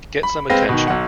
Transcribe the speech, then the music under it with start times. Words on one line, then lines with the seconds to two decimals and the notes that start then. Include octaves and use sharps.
Get some attention.
0.23 B5
0.50 G#3 C4 B4 F5 A#6
0.69 B2 D#3
0.88 B1 F#5